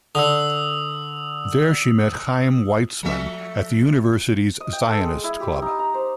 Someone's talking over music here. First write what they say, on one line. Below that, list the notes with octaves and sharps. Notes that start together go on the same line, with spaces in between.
There she met Chaim Weizmann at the University's Zionist Club.
D3 D#6 E6
F3 A3 E5
D#5
G5
A4
G#3
E4
G4
D#4
A#5
C5